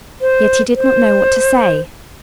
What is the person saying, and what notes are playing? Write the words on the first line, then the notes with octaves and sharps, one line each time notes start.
Yet he did not know what to say.
C5
C5